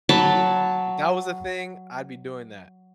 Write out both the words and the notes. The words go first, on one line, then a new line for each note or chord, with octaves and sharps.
if that was a thing, I'd be doing that,
F#3 A5 B5